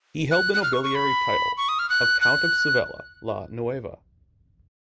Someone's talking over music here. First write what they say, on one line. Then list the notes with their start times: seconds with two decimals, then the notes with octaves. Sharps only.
He held the nobiliary title of "Count of Sevilla la Nueva".
0.31 F#6
0.54 F#6
0.63 F6
0.73 C#6
0.84 C#6
0.95 B5
1.57 C#6
1.69 D#6
1.79 F6
1.90 F#6
2.21 F#6